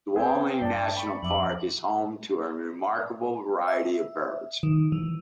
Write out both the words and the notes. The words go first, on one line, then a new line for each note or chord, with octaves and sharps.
Diawling National Park is home to a remarkable variety of birds.
C4 G#4 B4 G5
G2 D5 A5
B5 C#6
F2 E5 D6 F#7
E5
D#3
E3